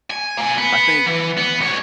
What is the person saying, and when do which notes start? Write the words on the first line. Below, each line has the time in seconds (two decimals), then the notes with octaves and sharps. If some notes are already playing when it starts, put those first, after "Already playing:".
I think
0.10 G#5
0.38 A#3 G#5
0.58 B3
1.06 E3
1.38 B3
1.61 C2 C#5